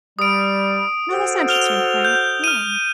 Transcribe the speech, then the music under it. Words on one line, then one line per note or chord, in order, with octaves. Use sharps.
Now that's an interesting point, yeah.
G3 D#6 D7
F#4 A4 C5
F6 F7 G7
G6
F6 D#7